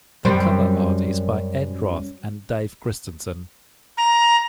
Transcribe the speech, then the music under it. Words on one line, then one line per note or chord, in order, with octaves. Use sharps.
The cover art is by Ed Roth and Dave Christensen.
F#2 G3 C4
A#5